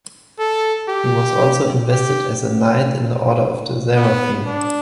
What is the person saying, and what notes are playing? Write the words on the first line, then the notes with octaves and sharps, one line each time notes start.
He was also invested as a Knight in the Order of the Seraphim.
A4
G4
G4
B3
D4